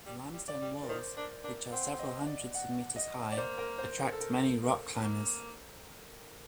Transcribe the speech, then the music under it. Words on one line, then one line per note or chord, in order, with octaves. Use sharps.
The limestone walls, which are several hundreds of metres high, attract many rock climbers.
G3
G3
D5
G3
A#4
D#3 C5
D4 A#4
D4 A#4
C4 F#5
D#5
D5
F#5
D#5
D5
A#3 C5
A#4
C5
A#4
A4
A#4
A#4
A#3